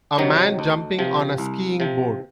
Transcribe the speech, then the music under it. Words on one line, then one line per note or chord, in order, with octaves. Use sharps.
A man jumping on a skiing board.
C3 D#3 F#3 D#4
D2
C3 F3
C2
C3 F3